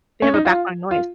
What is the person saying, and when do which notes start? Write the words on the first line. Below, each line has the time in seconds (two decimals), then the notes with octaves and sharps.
They have a background noise.
0.22 C#4
0.34 D#4
0.45 F4
0.91 F4